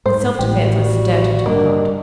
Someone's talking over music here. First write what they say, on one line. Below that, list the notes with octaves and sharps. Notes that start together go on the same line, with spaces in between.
In self-defence I stabbed him to the heart.
G#2 C5
A1 A2 E3 G#3 G4
G3 F#4
G2 D#3 A#3 D4